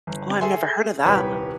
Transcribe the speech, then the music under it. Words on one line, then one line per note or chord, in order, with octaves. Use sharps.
Oh, I've never heard of that.
G1
G#4 A4 E5 G#5 C6
D#1 C2 G4 B4 C#5 G5